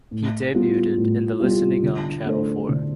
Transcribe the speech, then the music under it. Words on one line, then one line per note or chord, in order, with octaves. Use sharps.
He debuted in The Listening on Channel Four.
A2
G3 B3 F4
A2
G3 B3 F4
D3
A3 D4 A4 C5
D3